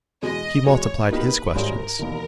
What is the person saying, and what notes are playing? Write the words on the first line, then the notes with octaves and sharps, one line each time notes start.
He multiplied his questions.
E2 B2 G#3 D#5
E2 B2 G#3 C#5
B2 A#3 D#4 G4 A#4 B4
G#1 G#2 G3 C#4 A#4
E1 D#2 D#3